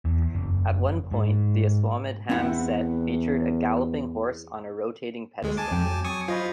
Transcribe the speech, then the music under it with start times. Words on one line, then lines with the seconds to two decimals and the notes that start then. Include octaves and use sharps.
At one point, the "Aswamedham" set featured a galloping horse on a rotating pedestal.
0.05 E2
0.35 F#1
1.11 G#2
2.30 E2 C4 E4 F#5
5.42 D2 G#3
5.57 G#5 A5 D6
5.71 F2 G5
5.85 F#3
6.04 G#5 C#6 D#6
6.28 F4 C5 D#5 B5